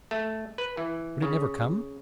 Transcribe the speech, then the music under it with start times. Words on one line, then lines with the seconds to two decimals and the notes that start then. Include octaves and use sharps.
Would it never come!
0.11 A3
0.58 B4
0.77 E3
1.22 C#3